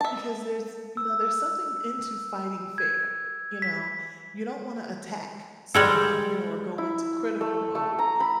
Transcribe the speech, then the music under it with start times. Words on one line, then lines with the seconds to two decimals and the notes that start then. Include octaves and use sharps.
Because there's you know, there's something into fighting fair, you know, you don't wanna attack someone, you know, or go into critical mode,
0.01 E5 A5
0.97 E6
2.78 G#6
3.62 B6
5.74 G3 G#3 A4
6.78 E4
7.41 A3
7.75 A3
7.99 A#5
8.20 B5